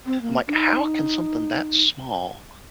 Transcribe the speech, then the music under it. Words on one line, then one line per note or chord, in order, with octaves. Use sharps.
I'm like, "How can something that small
C4
A#3
D4
D#4